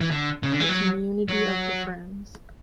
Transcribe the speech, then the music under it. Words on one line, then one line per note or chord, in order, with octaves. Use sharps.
The community of the Friends.
E3
D3
C#3
D3
E3
F#3
F#3